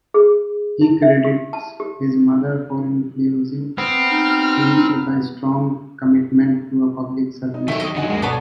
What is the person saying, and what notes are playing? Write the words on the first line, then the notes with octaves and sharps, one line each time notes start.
He credits his mother for infusing him with a strong commitment to public service.
G#4
E4
E5
G4
A5
G4
B3 C4 F6
D#4
D#4
D#3 F#3 A3 G4 C#6
D#5
D3 F3 F#3 D#4 F#5 G#5
D2 G2 G#3 A#3
B2 B3 A4 C#5 D5 A#5